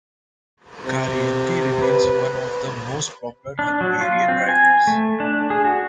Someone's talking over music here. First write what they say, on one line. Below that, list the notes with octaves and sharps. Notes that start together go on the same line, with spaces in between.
Karinthy remains one of the most popular Hungarian writers.
C3
B4
D4
F#3
F4
C4
G#5
A3
D4
G#4
F#4